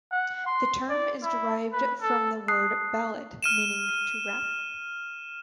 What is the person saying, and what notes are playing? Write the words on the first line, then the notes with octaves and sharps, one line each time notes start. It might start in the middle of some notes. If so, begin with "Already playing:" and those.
The term is derived from the word "balot" meaning "to wrap".
F#5
C6
D5
E4
B4
A4
A5 D#6 F#6 C7
F6 D#7 E7